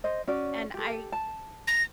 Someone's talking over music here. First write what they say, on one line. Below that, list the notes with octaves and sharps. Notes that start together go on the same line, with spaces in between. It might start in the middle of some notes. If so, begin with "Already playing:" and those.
and I
C5 D#5
C#4 F#4 D5
G4 A4
A5
A#6